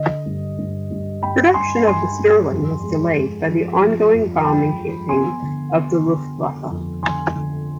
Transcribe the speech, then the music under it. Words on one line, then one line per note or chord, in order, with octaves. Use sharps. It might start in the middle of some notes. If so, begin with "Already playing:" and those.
Production of the Stirling was delayed by the ongoing bombing campaign of the "Luftwaffe".
Already playing: D3 D#5
G2
G2
G2
G2 G5 B5
G2 G#5 C6
G2 G#5 C6
G2
F2
G#3
G#3
F3
F3
F2
G#3 G5 B5
F3
B3 G#5 C6
D3
B3
D3
D3
F2
D3 G#5 C6
D3